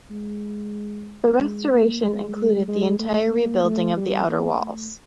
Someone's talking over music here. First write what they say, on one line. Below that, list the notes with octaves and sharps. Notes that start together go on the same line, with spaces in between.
The restoration included the entire rebuilding of the outer walls.
G#3
G#3
A#3
G#3
G#3
G#3
A3
A#3
A3
G3
A#3
A3